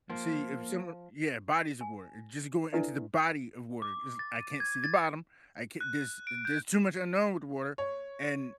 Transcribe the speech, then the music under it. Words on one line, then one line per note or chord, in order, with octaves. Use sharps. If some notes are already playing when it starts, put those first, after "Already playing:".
see, if some yeah, bodies of water, just go into the body of water 'cause I can't see the bottom, I can't there's there's too much unknown with water, and
F3 A#3
G#5
D4 E4 A4 B4 D5 E5
D6
A6
D#7
G#6
A6
F#6
D7
G6
C#5